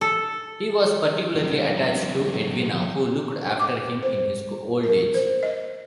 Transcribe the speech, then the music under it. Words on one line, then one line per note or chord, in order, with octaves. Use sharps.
He was particularly attached to Edwina, who looked after him in his old age.
A4
C2 D3
D6
C5
A#4
C5
D#5